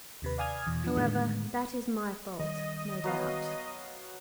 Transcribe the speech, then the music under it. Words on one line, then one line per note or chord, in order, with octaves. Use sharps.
"However, that is my fault, no doubt."
D#2 C3 B4
D5 F5 G#5 D#6 F6 G#6
E2 B2
F3 D4
A2 D3 D#3 G#3
D#3 G3 D#5
F#3 B3 F5